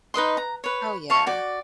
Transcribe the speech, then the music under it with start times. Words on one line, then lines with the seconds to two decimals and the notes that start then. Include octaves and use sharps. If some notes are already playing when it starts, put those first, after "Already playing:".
Oh yeah.
0.14 D#4 B4 D#5 C6
0.37 A#5
0.64 B4 C#5
1.10 F5 A5 C#6
1.27 F#4 D5 D6